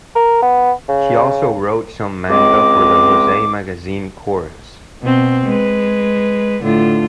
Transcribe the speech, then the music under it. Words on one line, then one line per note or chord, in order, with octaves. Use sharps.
She also wrote some manga for the josei magazine "Chorus".
A#4
B3
C#3
C#2 G#3 C4 D#5 D6
B2 C4
G#3 B4
A2 D3 F4